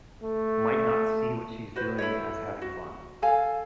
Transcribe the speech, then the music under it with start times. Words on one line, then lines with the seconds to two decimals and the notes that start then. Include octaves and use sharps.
might not see what she's doing as having fun.
0.23 A3
1.76 F#4 B4 C5
1.98 E4 A4 C#5
2.61 F#4
3.22 A4 F5 G#5